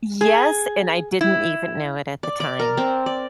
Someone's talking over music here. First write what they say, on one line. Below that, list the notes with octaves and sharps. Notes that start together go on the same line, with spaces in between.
Yes, and I didn't even know it at the time.
G#4
E4
D5
D5
A#4
C4
D5